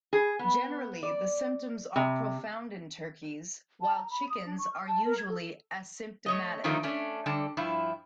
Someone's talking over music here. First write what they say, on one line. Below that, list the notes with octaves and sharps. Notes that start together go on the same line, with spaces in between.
Generally, the symptoms are profound in turkeys, while chickens are usually asymptomatic.
G#4
B3
D5
C3
A5
A#5
B5
D#6
D4
C#6
F6
A5
A#4
G#6
A4
A3 C#5 D#5
D3 D#3 F3 A3 A#3 D#4
A3 C#4 D4
D3 G3 A5
G2 F3 E4